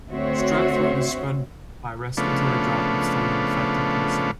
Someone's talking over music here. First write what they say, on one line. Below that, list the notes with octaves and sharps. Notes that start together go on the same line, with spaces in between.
Strep throat is spread by respiratory droplets from an infected person.
D2 C4 F#4 C5 C#5 E5
C#3 F3 A3 B3 D4